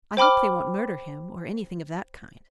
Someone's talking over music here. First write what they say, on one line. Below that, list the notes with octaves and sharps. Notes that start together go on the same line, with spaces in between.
I hope they won't murder him, or anything of that kind.
C5 G5 B5 D6 F6